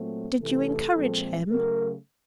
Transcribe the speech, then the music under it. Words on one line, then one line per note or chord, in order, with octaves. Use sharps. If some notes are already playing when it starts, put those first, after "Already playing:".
"Did you encourage him?"
Already playing: A#2 F#3 A3 C4
C3 E3 A3 A4
A#2 F3 G#3 C4
C#3 F#3 A3 A#4